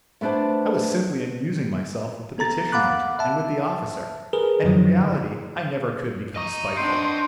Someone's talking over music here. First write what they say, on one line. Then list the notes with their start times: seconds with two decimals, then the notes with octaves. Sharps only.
I was simply amusing myself with the petitioners and with the officer, and in reality I never could become spiteful.
0.21 A3 B3 D4 C5 A5
2.38 B3 A4 A#5 A6
2.72 F5 F#5 B5 D6 F#6
3.19 E5 A5
4.33 G#4 A#4 B4
4.64 F#2 D3 F3 F#3
6.36 D#5 A#5 C#6 D#6 D#7
6.77 B3 C4 D4 C6 G6 C7 D7